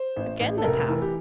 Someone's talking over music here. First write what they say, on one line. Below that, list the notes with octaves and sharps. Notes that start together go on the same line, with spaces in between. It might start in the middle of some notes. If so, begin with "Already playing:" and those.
Again the tap!
Already playing: C5
A1
A1
A4
F1 A#4
E3
G4